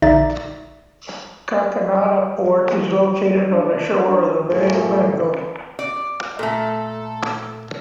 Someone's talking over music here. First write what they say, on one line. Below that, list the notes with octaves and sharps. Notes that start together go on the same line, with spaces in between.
Kakinada Port is located on the shore of Bay of Bengal.
A#1 D3 D#4 D5 E5 A6
D4
F#2 A2 F3 A3 G#4
D5
A#2 A3 A4